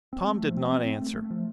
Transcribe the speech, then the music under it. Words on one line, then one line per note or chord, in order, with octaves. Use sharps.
Tom did not answer.
C4
A3
F3
C4
C4
C4
A3
A3
F3